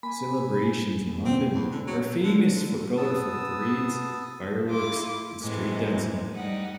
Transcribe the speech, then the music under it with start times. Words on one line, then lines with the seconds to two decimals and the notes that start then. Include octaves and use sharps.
Celebrations in London are famous for colourful parades, fireworks, and street dancing.
0.03 A#3 G#5 B5
1.06 D#2
1.26 C4
1.40 C#4
1.54 E2
1.72 D3
1.87 F#3
2.04 C#3
2.24 D3
2.38 G#2
2.57 D3
2.98 B3 A5 D#6 E6
4.68 E4 F4 D6
5.39 A2 C3 E3 G#3
6.33 G3 D#4 F#5